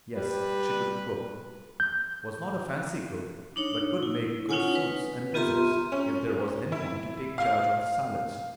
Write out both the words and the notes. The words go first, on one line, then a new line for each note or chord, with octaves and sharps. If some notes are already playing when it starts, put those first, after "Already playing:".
Yes, she could cook; was not a fancy cook, but could make good soups and desserts if there was any one to take charge of the salads.
G3 B4
G6
D4 D#4 C#5
E4
C#4 D#4 F4 C#5 F#5 G#5
B4
B3 F4 G4 E5 A#5 C6
C#4
E4
F5